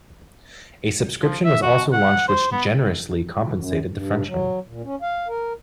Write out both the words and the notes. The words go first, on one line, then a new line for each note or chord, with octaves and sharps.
A subscription was also launched which generously compensated the Frenchmen.
F3
E5
F#4
F#5
C5
B3
F#2
G2
F#3
A#2
C#4
F5
A#4